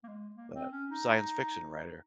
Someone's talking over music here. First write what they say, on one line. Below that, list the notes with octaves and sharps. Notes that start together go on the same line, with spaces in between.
the science fiction writer,
A#3
G#3
A#3
C4
C#4
D#4